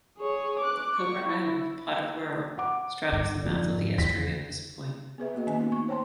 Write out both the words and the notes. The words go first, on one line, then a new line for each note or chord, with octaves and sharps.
Hilbre Island, part of Wirral, straddles the mouth of the estuary at this point.
G#4 C#5
D6 F#6
C#6
E4
F#5 D6
G2
F2 G#2 D#3 D5
E2 A#6 B6
B3 G#4 B4 E5
A#3 F#4 D#5
D#3 B3 C#4 G#5
A3 B3 D#4
C#6
C5 C#5 G5 A5 C6